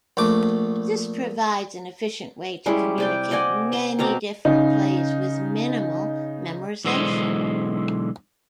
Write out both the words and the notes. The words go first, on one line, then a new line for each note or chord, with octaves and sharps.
This provides an efficient way to communicate many different plays with minimal memorization.
A#1 A3 D6
G3 G#3 C#4 E4
C3 D5 G5
D5 D#5 F#5 G#5
C6
B2 C4 A#5 D6
C#3 D#4
B1 D3 E3 G#3 C5 D#5